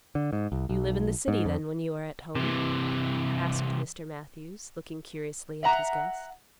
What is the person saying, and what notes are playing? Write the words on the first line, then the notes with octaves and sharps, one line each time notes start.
"You live in the city, then, when you are at home?" asked Mr. Matthews, looking curiously at his guest.
D3
G#2
C2
B1
G#2
F2
C3 E3
E5 F#5 A#5